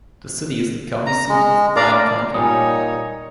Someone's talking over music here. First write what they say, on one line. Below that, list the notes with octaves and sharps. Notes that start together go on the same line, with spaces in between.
The city is the county seat of Bryan County.
A#5
G#3
D4 D5 F5 A#5
A#2 G3 D#4 A#4 C#5 G#5 D#6